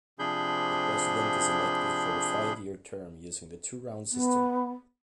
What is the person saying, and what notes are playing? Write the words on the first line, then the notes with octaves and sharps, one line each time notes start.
The President is elected for a five-year term using the two-round system.
C3 F3 D4 G#4 B5 G6
B3